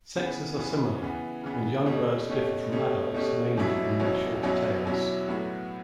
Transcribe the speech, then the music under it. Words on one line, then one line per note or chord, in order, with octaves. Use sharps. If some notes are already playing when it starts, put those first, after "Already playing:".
Sexes are similar, and young birds differ from adults mainly in their shorter tails.
C#3 E3 B3
C#3 E3 B3
C#3 E3 B3
C#3 E3 B3
B2 A3 C#4 G4
B2 A3 C#4 G4
B2 A3 C#4 G4
B2 A3 C#4 G4
E2 B2 F#3 C#4 E4
E2 B2 F#3 C#4 E4
E2 B2 F#3 C#4 E4
E2 B2 F#3 C#4 E4
A2 F#3 B3 F#4